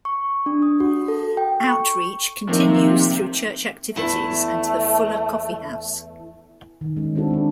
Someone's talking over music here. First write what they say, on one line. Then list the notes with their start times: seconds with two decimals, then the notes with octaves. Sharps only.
Outreach continues through church activities and the Fuller Coffee House.
0.05 C#6
0.46 D4
0.62 D#6
0.80 F#4
1.08 A4
1.37 G5
1.67 C#6
2.49 A2 C3 D#3 F3 A#3 D#4
3.96 E2 A3 E4 A5
6.81 D#3
6.97 G#3 C#4
7.15 C4 D4 E4 F#4 A4
7.31 G#3 D4